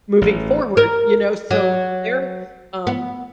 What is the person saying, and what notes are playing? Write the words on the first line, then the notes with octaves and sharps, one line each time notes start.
moving forward, you know, so their, um,
A1
A#4
F#3
B3